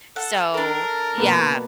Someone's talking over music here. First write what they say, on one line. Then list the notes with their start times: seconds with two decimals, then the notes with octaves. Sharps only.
So, yeah.
0.16 A4 F#5
0.54 D4 A4 A#4
1.18 B2 A#3 B3